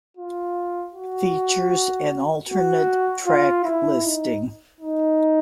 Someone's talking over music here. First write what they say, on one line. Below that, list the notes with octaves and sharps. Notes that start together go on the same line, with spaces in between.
Features an alternate track listing.
F4
F#4
F#4
F4
E4
D#4
D#4